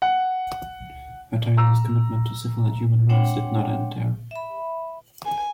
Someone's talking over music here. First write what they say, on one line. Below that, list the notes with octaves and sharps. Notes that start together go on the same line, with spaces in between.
Her tireless commitment to civil and human rights did not end there.
F#5
A#5 E6
G#3 C4 D4 C#5 F#5 G5
E5 B5
G#5